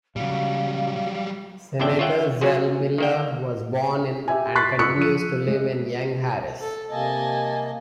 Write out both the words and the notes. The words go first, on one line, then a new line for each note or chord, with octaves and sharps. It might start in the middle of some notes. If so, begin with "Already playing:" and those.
Senator Zell Miller was born in and continues to live in Young Harris.
A#2 C#3 F#3 G3 F5
G#1 E2 D3 D4 E5 G5
F4 C#5 E5 F#5 G5
A#2 F#3 C#4 F#4 G#4 C5
D#3 A#3 G5
G4 E5 G#5
C6 C#6 F#6 A6 B6 C7
C#6 D#6 E6 F#6 B6 C#7
F3 D#7
G#3
A4
C3 A#3 D#5 G#5 A5